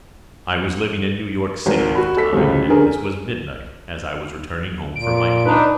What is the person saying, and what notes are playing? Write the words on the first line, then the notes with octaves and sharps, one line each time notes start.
I was living in New York City at the time, and this was midnight, as I was returning home from my club.
G#1 A#4
F#4 B5
A4 B6
D1 C#2
D3 C#4 G#4 A#4
A#2 D7
D4 D#4 B4